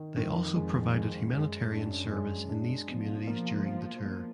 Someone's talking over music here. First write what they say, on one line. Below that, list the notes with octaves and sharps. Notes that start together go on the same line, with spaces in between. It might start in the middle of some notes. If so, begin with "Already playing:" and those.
They also provided humanitarian service in these communities during the tour.
Already playing: D#3
F2 D#3
F2 G#3
G#3
F#2 G#3
D4
G#3
D4
B2 F3
A#3
A#3
A#3